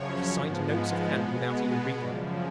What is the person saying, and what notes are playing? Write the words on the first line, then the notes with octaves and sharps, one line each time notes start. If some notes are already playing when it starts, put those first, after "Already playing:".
She signed notes of hand without even reading them.
Already playing: F#2 C#3 F3 C#5
G#2 F3 G#3 B3
B2 G#3 B3
F#2 C#3 F3 D5